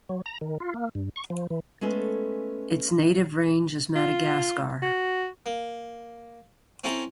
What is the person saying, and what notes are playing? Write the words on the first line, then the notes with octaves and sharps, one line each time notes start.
Its native range is Madagascar.
F#3
A#5
D#3
F4
A#3
G2
C#6
F3
E3
G#3 A3 B3 C#4 A4
F4
F#4
A#3
C4 C#4 E4 A4 G5 A#5